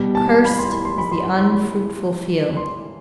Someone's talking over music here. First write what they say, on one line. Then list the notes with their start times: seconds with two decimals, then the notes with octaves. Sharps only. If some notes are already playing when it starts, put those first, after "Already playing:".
"Cursed is the unfruitful field!"
Already playing: B2 G3
0.15 A5
0.45 B5
0.58 C6
0.72 B5
0.85 C6
0.98 B5
1.11 C6
1.25 B5
1.38 C6
1.51 B5
2.57 C6